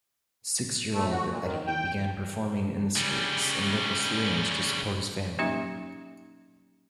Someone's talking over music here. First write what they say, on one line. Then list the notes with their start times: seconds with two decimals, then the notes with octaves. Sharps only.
Six-year-old Eddie began performing in the streets and local saloons to support his family.
0.93 A3
1.11 F#4
1.28 A#2
1.42 D#3
1.67 G5
2.96 C#3 G3
5.39 F#3 A#3 C#4 D#4 G4 E5